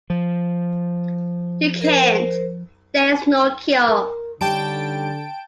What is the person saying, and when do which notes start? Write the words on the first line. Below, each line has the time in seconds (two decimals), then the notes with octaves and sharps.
You can't; there is no cure.
0.10 F3
1.81 A#4 C5
3.88 A#4
4.41 D3 G3 C#4 D#4 G5 A5 D7